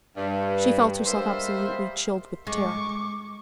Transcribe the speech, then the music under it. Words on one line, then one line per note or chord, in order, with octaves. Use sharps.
She felt herself absolutely chilled with terror.
G2
G3 G#3 A#3 C5 E5
G#3 C#6 D6